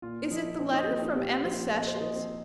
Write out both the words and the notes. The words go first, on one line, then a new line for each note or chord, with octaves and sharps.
Is it the letter from Emma Sessions?
A#2 F4
F3 A#3 D#4
A#2 C4
D#4
F3 A#3 C4
D#4
A#2 G4
F3 A#3 C5
A#2 D#5
C5
F3 A#3 D#4
C4